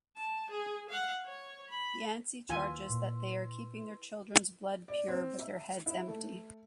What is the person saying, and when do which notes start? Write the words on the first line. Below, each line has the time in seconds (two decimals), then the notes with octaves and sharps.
Yancey charges that they are keeping their children's blood pure, but their heads empty.
0.16 A5
0.50 G#4
0.89 F5 F#5
1.25 C#5
1.69 B5
2.49 D#2 D#3 E4 F4 B4 G#5 C6
2.90 A#2
4.88 D5
5.08 C4
5.39 E5
5.86 E4
6.08 A3